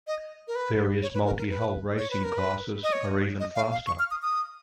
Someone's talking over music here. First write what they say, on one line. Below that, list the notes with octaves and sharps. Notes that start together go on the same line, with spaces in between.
Various multi-hull racing classes are even faster.
D#5
A#4
B4
C#5
B4
A#4
A#4
B4
C#5
B4
A#4
B4
D#5
C#5
D#5
F5
F5
C#6
F6
D#6
D#6